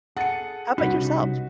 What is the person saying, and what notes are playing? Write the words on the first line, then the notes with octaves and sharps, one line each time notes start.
How about yourself?
G#4 A4 F#5 C#7
C2 G#2 G3 C#4 D#4 F#4 B4